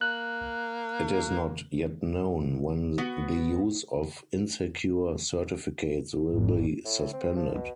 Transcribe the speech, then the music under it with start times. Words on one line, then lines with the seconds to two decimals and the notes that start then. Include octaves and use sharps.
It is not yet known when the use of insecure certificates will be suspended.
0.01 A#3 F#6
2.98 B3 F#4
6.34 G#1
6.85 A2
7.13 C4
7.36 F3
7.54 B2